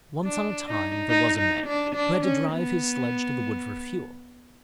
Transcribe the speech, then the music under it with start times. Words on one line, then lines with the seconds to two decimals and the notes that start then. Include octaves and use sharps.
Once on a time there was a man, who had to drive his sledge to the wood for fuel.
0.24 D4
0.67 D#4
1.09 D#4
1.38 D#4
1.67 D4
1.95 D4
2.24 C#4
2.53 B3